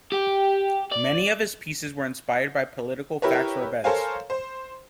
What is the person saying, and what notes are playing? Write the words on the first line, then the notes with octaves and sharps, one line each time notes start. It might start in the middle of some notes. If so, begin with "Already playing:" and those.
Many of his pieces were inspired by political facts or events.
G4
D5
E4 G4 A#4 B4 C#5
A4 A#4 C5 C#5 F5 G#5
C5